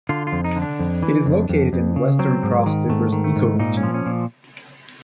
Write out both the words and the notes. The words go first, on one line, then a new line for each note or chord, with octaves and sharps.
It is located in the Western Cross Timbers Ecoregion.
D3 F4
F4
F2
D#4
D3
D4
F2
E3
F2
F2
F2
C#3
F#3 C4
G#2
D#3
G#2 A3
D#3
A3
G#2
A#2 D#4
C#4
F3
C#4
A#2